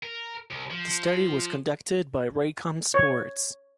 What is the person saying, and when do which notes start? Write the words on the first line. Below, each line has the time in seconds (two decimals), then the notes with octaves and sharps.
The study was conducted by Raycom Sports.
0.03 A#4
0.50 C2
0.70 F3
2.94 C#5